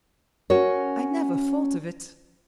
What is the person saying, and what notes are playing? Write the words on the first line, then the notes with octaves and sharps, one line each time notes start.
"I never thought of it."
C#4 F#4 A#4 C#5